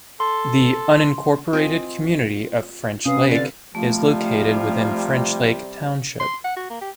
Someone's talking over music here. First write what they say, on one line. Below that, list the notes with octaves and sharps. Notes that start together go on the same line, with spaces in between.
The unincorporated community of French Lake is located within French Lake Township.
A4 C6
C4 F4 D#5 G#5
C3 C#4 B4 F5 D#6
D3 D5 F5
C3 F3 G3 A3
C6
F#5
F#4
A#3
G4